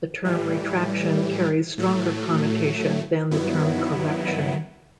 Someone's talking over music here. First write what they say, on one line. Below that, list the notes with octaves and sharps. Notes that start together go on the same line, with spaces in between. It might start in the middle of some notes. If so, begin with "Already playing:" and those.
The term "retraction" carries stronger connotation than the term "correction".
A2 E3 G3
A2 F#3 A3
G2 D#3 F#3 B3 E4